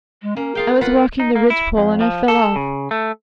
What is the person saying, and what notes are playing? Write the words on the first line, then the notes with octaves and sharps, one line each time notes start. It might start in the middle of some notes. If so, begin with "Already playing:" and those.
I was walking the ridgepole and I fell off.
G#3
A#3 C#4
F4 G#4 F5 G5
F4 B4 F#5 B5
A#4
D#4
A#3
E4
F2
F3
A4
C#3
A3